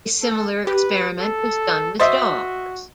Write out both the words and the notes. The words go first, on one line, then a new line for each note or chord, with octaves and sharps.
A similar experiment was done with dogs.
A4
G4 B4
A4
F#4 C5 D#5 E5 C#6 A6 B6